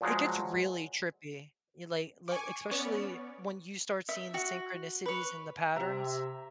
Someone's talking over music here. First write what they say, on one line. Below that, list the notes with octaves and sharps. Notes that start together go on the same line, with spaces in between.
It gets really trippy. You like li especially when you start seeing the synchronicities and the patterns.
A#2 F3 F#3 G#3
G#5 C#6 D6
B3 C#4 C#5 D5
E5
F#4
B4 C#5
C3 E5 A#5